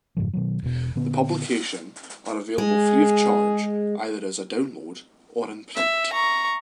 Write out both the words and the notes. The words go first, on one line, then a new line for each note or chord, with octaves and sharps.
The publication are available free of charge, either as a download or in print.
F2 G#2 C#3 F3
B2 D#3 F#3
E1 B2
A#2 D3 B3
G#3 G#4
E5
A#5 C#6